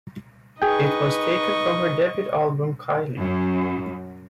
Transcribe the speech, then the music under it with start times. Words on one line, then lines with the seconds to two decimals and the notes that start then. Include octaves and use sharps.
It was taken from her debut album "Kylie".
0.62 D#4 G#4 B4 D#5 G5 C#6
3.20 F#2